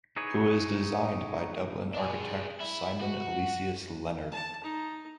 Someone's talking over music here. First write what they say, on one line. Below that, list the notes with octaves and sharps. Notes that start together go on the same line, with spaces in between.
It was designed by Dublin architect Simon Aloysius Leonard.
D#4 E4 G#4 B4 C#5
D4 G#4
E4
F#4
A5
D#4